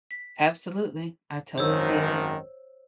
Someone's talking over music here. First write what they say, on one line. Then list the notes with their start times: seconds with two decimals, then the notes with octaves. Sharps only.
Absolutely. I totally get it.
0.11 B6
1.58 G#1 F#2 D#3 C5 C#5 E6